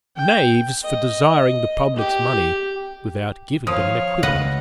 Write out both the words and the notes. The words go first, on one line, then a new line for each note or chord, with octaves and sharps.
Knaves, for desiring the public's money without giving them an equivalent.
G5
D#5
G4
F3 C#5 F5 D#6
C#2 A2 B4 D#5 F#5